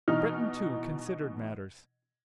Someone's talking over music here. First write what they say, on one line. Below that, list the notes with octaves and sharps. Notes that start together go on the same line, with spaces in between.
Breton, too, considered matters.
B2 E3 D#4 F6